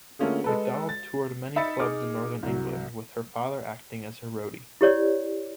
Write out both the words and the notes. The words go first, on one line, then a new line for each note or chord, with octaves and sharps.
McDonald toured many clubs in northern England, with her father acting as her roadie.
D3 A3 A#3 C#4 F4 G#4
G#3 A4 B4
A6
D#4 E5 B5 A6 C#7
D#4 G#4 D6 F6
C2 F#3
E4 G4 C#5 D5